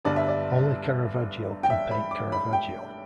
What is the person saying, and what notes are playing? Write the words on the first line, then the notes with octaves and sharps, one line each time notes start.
Only Caravaggio can paint Caravaggio.
G1 G2 D3 D5
E5
D5
G5
E5
B5
D6
B5
G5